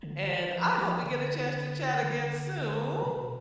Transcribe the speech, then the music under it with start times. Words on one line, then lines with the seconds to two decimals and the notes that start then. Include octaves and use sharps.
and I hope we get a chance to chat again soon.
0.03 D3
0.28 E3
0.54 F3
0.78 F3
1.03 D3
2.03 D3
3.03 B2